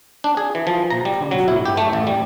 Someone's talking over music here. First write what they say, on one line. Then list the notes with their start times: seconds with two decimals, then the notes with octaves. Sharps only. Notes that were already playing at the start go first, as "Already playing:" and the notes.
We have come through well.
0.24 D4
0.37 G#4
0.55 E3
0.67 F3
0.90 A#5
1.05 G3
1.31 F#3
1.48 E4
1.65 G4
1.77 A3
1.93 A1
2.07 G3